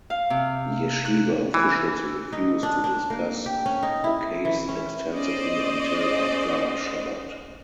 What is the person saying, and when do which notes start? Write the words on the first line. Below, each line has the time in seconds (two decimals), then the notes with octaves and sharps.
Yeshiva officials refused to discuss the case extensively until after Shabbat.
0.10 F5
0.30 C3
1.05 F#6
1.54 E3
2.32 D#4
2.63 D4
2.84 D4
3.10 A#3
3.46 G4
3.66 C#4
3.83 D#4
4.04 E4
4.45 E3
4.68 C#4
5.13 C#4 C5 D5 D#5